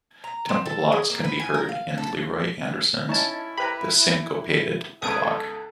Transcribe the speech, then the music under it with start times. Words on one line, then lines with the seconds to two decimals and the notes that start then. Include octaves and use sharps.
Temple blocks can be heard in Leroy Anderson's "The Syncopated Clock".
0.24 A#5
0.49 C4
0.66 A4
0.92 G#4
1.10 A#3
1.24 B4
1.40 G#5
1.54 A#4
1.69 F5
1.98 A4
3.09 C#4 D#4 E4 A5
3.58 G4 B4 A#5 B5
5.02 C#2 B3 A4 D#6 G#6 D7